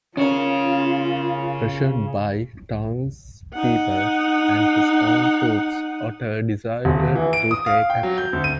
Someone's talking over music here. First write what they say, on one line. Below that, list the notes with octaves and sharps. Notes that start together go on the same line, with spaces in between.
Pressured by the townspeople and his own troops, Otter decided to take action.
C#3 C#4 F4 A#4 C#5
D#4 F#5
D#1
E3
D7
D#6
F5
G5
F#3
G6
D2
D#7